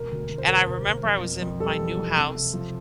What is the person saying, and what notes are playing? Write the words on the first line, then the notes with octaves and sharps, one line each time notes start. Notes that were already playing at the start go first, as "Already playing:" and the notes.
And I remember I was in my new house
Already playing: E1 A#4
D2
D2
C5
E1 A#4
E1
E1
F2
F2
F2
G3 A4
E3
F2
C3
C3
F3